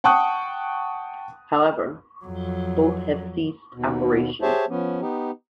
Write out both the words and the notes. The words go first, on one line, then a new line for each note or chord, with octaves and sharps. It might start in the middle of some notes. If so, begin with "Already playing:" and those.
However, both have ceased operation.
F#5 G5 A5 C#6 D#6 F#6
F2 F#3
D#2 B2
G4 G#4 C5 C#5 E5 A5
F3 B3 C#4
B3 D#4 G4